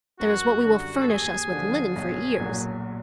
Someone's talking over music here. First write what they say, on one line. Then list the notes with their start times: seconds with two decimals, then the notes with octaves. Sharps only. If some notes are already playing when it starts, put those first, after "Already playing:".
There is what will furnish us with linen for years.
0.20 F#2 F#4
0.63 D3 G3 F#4
1.01 A4
1.08 D#2 G#4
1.52 D3 F3
1.96 B1
2.39 A#2 F#3